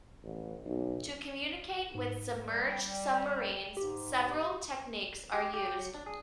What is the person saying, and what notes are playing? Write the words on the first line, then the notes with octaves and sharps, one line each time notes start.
To communicate with submerged submarines several techniques are used.
A1
B1
G#2
G3
G5
G#2 G4
G4
G4
G4
F#3
D4
G#4